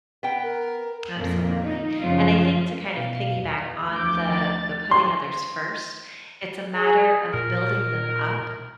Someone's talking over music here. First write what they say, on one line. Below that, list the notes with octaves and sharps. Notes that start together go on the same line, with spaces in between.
Absolutely, and I think to kind of piggyback on the the putting others first, it's a matter of building them up,
B3 G5
A#4
F2 A#2 A#3
D#4
F#2 C#3 F3 F4
B2 F5
E2
D2 F3 D6 G6
A6
C6
G#4
A#2 A#4